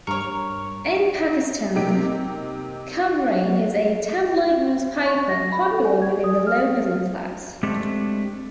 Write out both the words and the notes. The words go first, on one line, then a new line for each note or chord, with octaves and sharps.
In Pakistan, "Khabrain" is a tabloid newspaper popular within the lower middle class.
G2 A#4 C#5 C#6
C3 A#3 D#4 G4 D7
C#6
A#6
B5
A4
G#5
G#6
D#6
F6
G#3 A3 C4 D4 G4